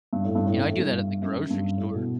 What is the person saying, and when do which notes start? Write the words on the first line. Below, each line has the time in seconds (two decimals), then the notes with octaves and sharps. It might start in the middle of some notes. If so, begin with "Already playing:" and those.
You know, I do that at the grocery store.
0.13 G2
0.25 A2
0.35 G2
0.47 A2
0.57 G2
0.68 A2
0.79 G2
1.22 F#2
1.50 G2
1.78 A2
1.95 B2